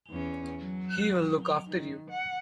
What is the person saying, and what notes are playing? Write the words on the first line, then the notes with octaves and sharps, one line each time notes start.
He will look after you.
E2 C#4
F#3
D#3
F#5